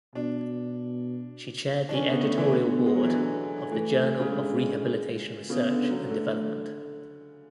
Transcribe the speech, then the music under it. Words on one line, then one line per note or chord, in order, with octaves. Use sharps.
She chaired the editorial board of the "Journal of Rehabilitation Research and Development".
B2 D4
D4
D3 C#4
B3
A3
E3
D3 B3
G#3
F#3
E3
D3
E3 A3
C#3
D3 G#3
C#3 B3
D3
F#3
D3 A3